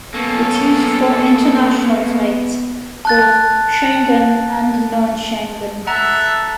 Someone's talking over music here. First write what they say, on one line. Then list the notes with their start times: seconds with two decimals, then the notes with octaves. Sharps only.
It’s used for international flights, both Schengen and non-Schengen.
0.14 A#3 B3 C#4 A4
3.05 A5 F#6 A6
5.87 A4 E5 F#5 A#5 F#6